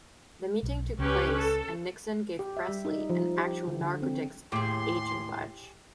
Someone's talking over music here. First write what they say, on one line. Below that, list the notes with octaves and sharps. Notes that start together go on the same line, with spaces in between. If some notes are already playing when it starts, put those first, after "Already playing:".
The meeting took place and Nixon gave Presley an actual narcotics agent badge.
B1
C#2 C#4 G4 B4
A4
G4
E5
G3
D#4
F3
G4
D3
D3
C4
D#2 A2 G4 G#4 C6